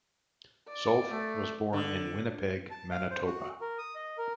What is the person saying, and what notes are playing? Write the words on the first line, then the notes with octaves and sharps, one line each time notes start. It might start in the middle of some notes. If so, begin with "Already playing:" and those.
Zolf was born in Winnipeg, Manitoba.
D5
A3
D3
A5
F5
C5
F#4
A#4
D#6
D#5
A#4